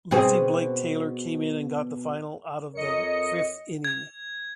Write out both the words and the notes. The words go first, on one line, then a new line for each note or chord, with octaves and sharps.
Lefty Blake Taylor came in and got the final out of the fifth inning.
B2 C4 G#4
F2 A#4 C#5 D#5 C#7
G#6